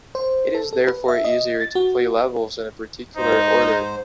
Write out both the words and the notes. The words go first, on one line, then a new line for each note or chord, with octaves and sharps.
It is therefore easier to play levels in a particular order.
C5
A4
A4
B4
E5
D#5
A6
F#4
G#2 D#4 C5